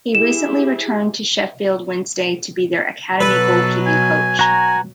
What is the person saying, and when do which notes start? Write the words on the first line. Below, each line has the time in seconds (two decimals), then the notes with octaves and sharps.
He recently returned to Sheffield Wednesday to be their Academy Goalkeeping Coach.
0.15 E4 G4 G#4 E7
3.21 B2 F#3 A4 B4
3.86 G#5
4.39 F#4 G#5 A#5